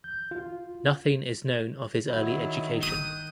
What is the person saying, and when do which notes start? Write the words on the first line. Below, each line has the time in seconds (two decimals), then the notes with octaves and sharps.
Nothing is known of his early education.
0.04 G6
0.31 F4
2.08 D#3 F#3 E4
2.83 D#6 F#6 G6